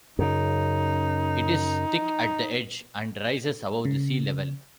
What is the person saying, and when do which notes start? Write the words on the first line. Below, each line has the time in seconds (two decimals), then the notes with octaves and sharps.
It is thick at the edge, and rises above the sea level.
0.19 F#2 C#3 D#4
3.85 C#3